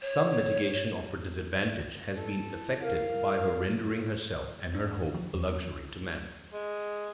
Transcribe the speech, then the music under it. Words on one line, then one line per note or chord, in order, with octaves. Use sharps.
Some mitigation of her disadvantage has been effected by her rendering herself and her home a luxury to man.
C#5
E4 A4
A#4 F5
D4
F3
E2
G#3